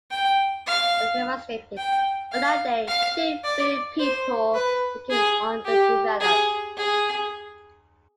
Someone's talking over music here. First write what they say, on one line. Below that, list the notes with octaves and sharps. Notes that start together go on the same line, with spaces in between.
Esteva stated: On that day two billion people became underdeveloped.
G5
F5
G5
F5
F5
D5
C5
B4
G#4
G4
G#4
G#4